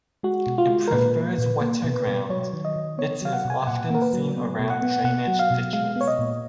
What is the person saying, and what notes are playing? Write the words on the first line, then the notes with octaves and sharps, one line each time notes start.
It prefers wetter ground; it is often seen around drainage ditches.
G#3 F#4
B2
F4
G#3
A#4
A#2 B4
A#3
A#2
A#3
B2
B2
F#3 C#5
D#3
D#5
D#3
B3 C#5
F#3 F5
F#5
B2 G#5
A#2 F#5
A#3 A#4
B4
F#3
B3
B2
F#5
B3
B2 F#5
F#3
F5
B2
G#3 F5
B3 C#5
D#5
A#2